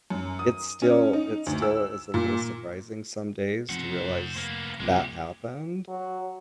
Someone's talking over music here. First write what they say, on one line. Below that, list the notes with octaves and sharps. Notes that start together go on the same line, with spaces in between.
it's still it still is a little surprising some days to realize that happened,
F#2
D#6
C#4
D#4
D2
E6
A#2
F1 F2 C5 F#5
F1
A#3 B3
C2 F2 A#2 G#3 G4
F#3